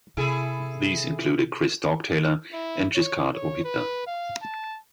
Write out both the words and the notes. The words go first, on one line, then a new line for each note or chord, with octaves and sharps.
These included Chris Dogtailer and Giscard O'Hitler.
C3 E4 G#4 A4
E4
C#5
C#5
B4
F5
A5